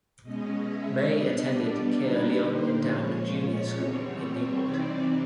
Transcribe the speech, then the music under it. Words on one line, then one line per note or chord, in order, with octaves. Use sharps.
May attended Caerleon Endowed Junior School in Newport.
B2 G#3 C#4 D#5
E5
B2 G3 B3 D4 D#5
D5
D3 G3 A#3 D#4 B4
C5
A#2 F3 G#3 C#4 C#5
E2 B2 G3 C4
C3 E3 G3 C4 D#4 D5